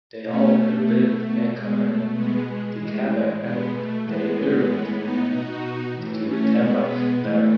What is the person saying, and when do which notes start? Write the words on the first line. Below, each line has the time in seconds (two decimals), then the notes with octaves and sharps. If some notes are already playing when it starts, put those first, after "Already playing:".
They all revered Mecca and the Ka'bah and they yearned to do tawaf there.
0.24 B2 A3 C#4
0.56 A3
0.87 B2
1.51 B2 G#3
1.82 A3
2.13 B2 G#3 B3
2.45 G#3
2.77 A2 E3
3.40 B2 G#3 B3
3.71 A3
4.03 A2 E3 G#3 B3
4.35 G#3 B3
4.66 A2 E3
4.98 B3 D#4
5.29 B2 D#4 F#4
5.93 A2 E3
6.24 A3 C#4
6.56 B2 G#3 B3
7.19 A2 E3 A3